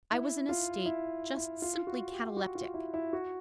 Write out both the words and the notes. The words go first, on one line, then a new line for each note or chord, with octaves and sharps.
I was in a state just simply cataleptic.
E4
F4
E4
E4
F4
F#4
G4
F#4
F4
E4
E4
F#4